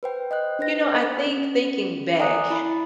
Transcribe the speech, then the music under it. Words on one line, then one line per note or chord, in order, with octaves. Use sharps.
You know, I think thinking back,
B4 C5 G5
D#5 G5 F#6
D4 B4 C5 D#5 A#6
C#4
D5 G#5 A#5 D#6 F#6
E4 B5